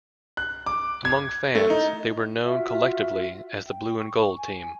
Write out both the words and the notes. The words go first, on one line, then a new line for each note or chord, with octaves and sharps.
Among fans, they were known collectively as the "Blue and Gold" team.
F#6
D6
G#6
A3
D#4
F4 F#4 E5
G5
C#6
G#5